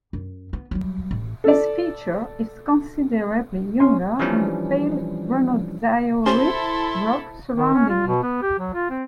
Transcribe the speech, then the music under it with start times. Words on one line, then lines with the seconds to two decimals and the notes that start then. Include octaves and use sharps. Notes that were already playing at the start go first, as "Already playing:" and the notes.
This feature is considerably younger than the pale granodiorite rock surrounding it.
0.13 F#2
0.53 B3
0.71 F#3 G3
1.11 A1
1.44 A4 D5
3.80 C#4 C6
4.19 E3 F3 G3 C#4 D4
6.26 C#4 E4 G4 A4 C5 C6 A6
7.57 D#3
7.74 C#4
7.89 F4
8.07 B2
8.23 B3
8.42 G4
8.59 F#3
8.73 F4
8.90 C4